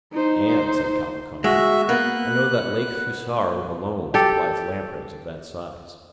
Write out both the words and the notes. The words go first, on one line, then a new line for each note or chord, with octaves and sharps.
"And," said Cavalcanti, "I know that Lake Fusaro alone supplies lampreys of that size."
D#4 C5
G#3 F#4 E5
A#3 B3 F#6
G4 A4